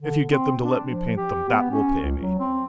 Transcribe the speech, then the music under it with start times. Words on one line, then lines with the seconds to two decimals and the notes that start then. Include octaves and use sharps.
If you get them to let me paint them, that will pay me.
0.02 D3
0.30 C4
0.61 D4
0.89 F3
1.16 G4
1.48 B3
1.71 C#4
2.04 C#2
2.21 F#3
2.39 C4